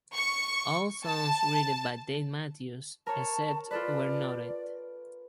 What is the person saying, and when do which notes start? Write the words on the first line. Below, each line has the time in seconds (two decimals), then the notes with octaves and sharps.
All songs written by Dave Matthews except where noted.
0.15 C#6
1.05 A5
3.07 A#4 C#5 A5
3.71 F4 A4 B4 D5